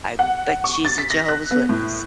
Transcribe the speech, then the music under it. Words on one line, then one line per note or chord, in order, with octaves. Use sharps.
"I bet she's a Jehovah's Witness."
F#5
C#6
A6
B6
A#6
F#6
B3
A2